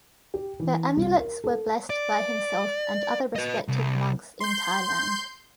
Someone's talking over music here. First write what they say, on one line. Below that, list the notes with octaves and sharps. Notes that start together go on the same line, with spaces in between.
The amulets were blessed by himself and other respected monks in Thailand.
G4
E3
C2
A#4
A4
D5
B4 D#5
C2
C6 G6